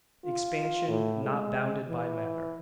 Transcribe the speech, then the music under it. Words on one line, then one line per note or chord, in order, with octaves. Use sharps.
Expansion not bounded by Matter.
F4
A2
G#3
E3